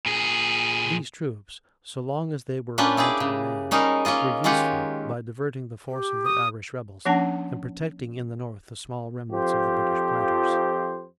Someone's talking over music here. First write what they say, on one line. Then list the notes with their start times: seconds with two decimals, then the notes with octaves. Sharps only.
These troops, so long as they were allowed to remain, were useful, by diverting the force of the Irish rebels, and protecting in the north the small remnants of the British planters.
0.06 A#2 G#4
2.78 A#3 C#4 D4 F4 G4 B4
2.97 E4 G4 G#4 D5
3.20 C#3
3.71 G3 C#4 D#4 G#4 A#4
4.05 A#3 C#4 F4 D#5
4.44 D#3 G#3 C#4 F4 G4 F#5
5.88 G4
6.25 D#6
7.05 F3 A#3 C#4 D4 F#5 A5
9.31 F2 F3 G4 C5